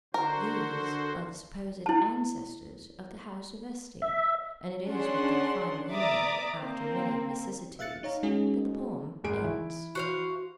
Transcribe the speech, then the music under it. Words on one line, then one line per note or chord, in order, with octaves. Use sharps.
These are the supposed ancestors of the house of Este, and it is with their final union, after many vicissitudes, that the poem ends.
D3 F#4 A#4 C5
E4 A5
E5
C#4 D4 G#4 F#5 C6
D5 E5 A#5 D6 D#6
A#3 C4
E5 F5 F#6 A6 C#7
D#4 C#5 F5 A#5
G#3 C#4 D#4 F#4 G#4
G#1 G#4 D7
E3 E4
F#4 C5 F5